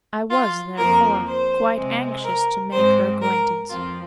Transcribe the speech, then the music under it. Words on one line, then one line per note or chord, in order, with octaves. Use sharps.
I was, therefore, quite anxious to make her acquaintance.
F4
F2 F3 A#3 A#4
C5
C3 G#3 C4
A#4
G#2 G#3 C4 C5
A#4
F2 F3 C4 F4